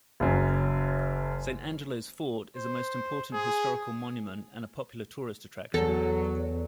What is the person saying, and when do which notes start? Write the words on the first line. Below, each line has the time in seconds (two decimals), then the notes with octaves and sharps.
Saint Angelo's fort is a most important historical monument and a popular tourist attraction.
0.20 F#1 F#2
2.57 C5
3.33 G#4
5.74 E2 F#3 A4